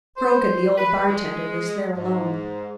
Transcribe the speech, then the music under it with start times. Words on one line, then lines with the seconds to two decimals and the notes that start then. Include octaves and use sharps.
Grogan, the old bartender was there alone.
0.17 C5
0.78 B4
1.07 G#3
1.96 G#2